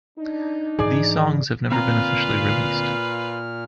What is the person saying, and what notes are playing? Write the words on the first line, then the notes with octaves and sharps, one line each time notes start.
These songs have never been officially released.
D4 D#4
G#2 E3 G#4 D5
D2 A#2 C4 F4 B4 F5 A#5 F6